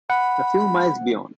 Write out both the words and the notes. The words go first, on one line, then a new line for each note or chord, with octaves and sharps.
A few miles beyond.
F#5 B5